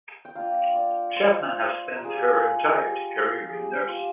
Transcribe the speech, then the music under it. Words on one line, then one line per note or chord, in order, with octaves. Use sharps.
Chapman has spent her entire career in nursing.
G5
A#3 D4 F4 F5
D5
C5
G3 A#3 F4 A#4
G#4
G4
G#4
G#4
G4
G#4
G3 A#3 F4 G4
F4
G4